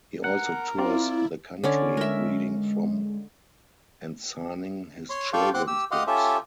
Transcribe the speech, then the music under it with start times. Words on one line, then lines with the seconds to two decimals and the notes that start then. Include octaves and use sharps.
He also tours the country, reading from and signing his children's books.
0.24 A#4 F#5
0.79 C4 E4 F4 D5
1.64 D3 C#4 D5
1.97 G#3 A#4 E5
5.10 C#5 C6
5.33 F4 A4 D5 F5 G5 C#6
5.54 C4 F#5 C6 D6 F#6
5.67 G4 E6
5.91 G4 D#5 F5 F#5 C6
6.07 C#4 F4 G4 A4 E5